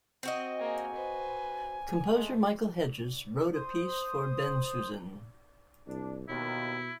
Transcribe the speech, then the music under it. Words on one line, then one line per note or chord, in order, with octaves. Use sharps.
Composer Michael Hedges wrote a piece for Bensusan.
C4 F#4 D#5
A#3 G#4 G#5
B4 C5
G#3 A3
C5 D#6
C2 D4
D#2 B2 E4